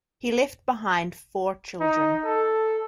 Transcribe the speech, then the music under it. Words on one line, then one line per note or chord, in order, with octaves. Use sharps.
He left behind four children.
D#4
A4